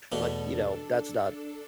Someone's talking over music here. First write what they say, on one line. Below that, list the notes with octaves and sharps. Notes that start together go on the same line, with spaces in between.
but, you know, that's not
E2 B2 A3 A4
D4